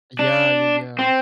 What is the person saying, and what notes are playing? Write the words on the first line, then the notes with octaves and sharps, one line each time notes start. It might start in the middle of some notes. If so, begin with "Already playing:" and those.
Yeah, yeah, yeah.
D4
C4